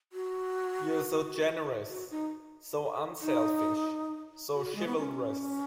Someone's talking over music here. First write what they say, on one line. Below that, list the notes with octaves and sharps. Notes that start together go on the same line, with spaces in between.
You are so generous, so unselfish, so chivalrous.
F#4
F#4
D#4
D#4
F#4
G#3
B3
C#4